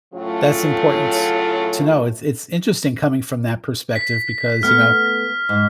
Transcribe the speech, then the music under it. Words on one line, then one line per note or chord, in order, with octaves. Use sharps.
that's important to know. It's it's interesting coming from that perspective because, you know,
A2 C#3 F#3 A3 C#4 F4
B6
A3 B3 F6
G#2